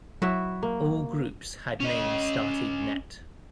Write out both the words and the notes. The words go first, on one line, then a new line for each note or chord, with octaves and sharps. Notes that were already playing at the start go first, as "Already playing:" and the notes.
All groups had names starting net.
F#3 E4 F#4 E5
A#3
C#4 D#5